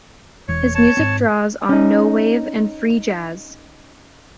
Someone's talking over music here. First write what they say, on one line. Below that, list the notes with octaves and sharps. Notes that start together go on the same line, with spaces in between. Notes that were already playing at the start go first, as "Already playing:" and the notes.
His music draws on no wave and free jazz.
E1 E3 C#5
C#5 A5
G#2 C4
C#4 D#4